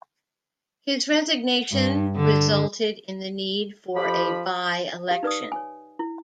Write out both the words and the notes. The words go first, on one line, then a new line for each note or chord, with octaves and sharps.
His resignation resulted in the need for a by-election.
G2
D3
F2 F3 G4 B5
G4 F5
D#4 B4 D5 D#6
C#5 G#5
E4